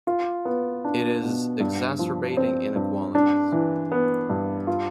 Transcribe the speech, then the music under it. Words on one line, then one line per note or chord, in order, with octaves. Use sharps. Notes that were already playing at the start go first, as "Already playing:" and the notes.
It is exacerbating inequalities.
F4
B3
D4
B2
G2
F3
C4
G2
D4
E3
B3
G2
F4